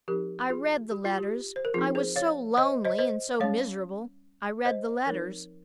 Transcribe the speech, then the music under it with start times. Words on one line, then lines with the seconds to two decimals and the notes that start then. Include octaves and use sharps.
I read the letters--I was so lonely and so miserable, I read the letters.
0.08 F3 C4 D#4 G4 A#4
0.50 F4 G#4
0.91 G4
1.05 F4
1.18 G4
1.56 C5
1.65 A#4
1.74 F3 C4 D#4 F4 G#4
1.95 G#4 C5
2.16 C#5 F5
2.58 C5 D#5
2.85 C5 D#5
2.98 C5 D#5
3.40 G3 C#4 C#5 F5
4.65 C5 D#5
5.06 F3 C4 D#4 A#4 C#5